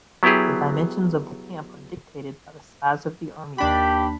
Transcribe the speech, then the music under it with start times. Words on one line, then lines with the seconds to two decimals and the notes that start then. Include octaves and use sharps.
The dimensions of the camp are dictated by the size of the army unit.
0.23 F#3 B3 E4 G4 G#4
3.58 D#2 D4 G4 B5